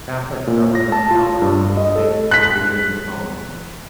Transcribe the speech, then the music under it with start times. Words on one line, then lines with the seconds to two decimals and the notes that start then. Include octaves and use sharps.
Catholic Governor Calvert escaped to the Virginia Colony.
0.47 A#2
0.75 A#6
0.92 A5
1.11 F4
1.42 G2
1.77 D#5
1.95 A4
2.31 F#6 B6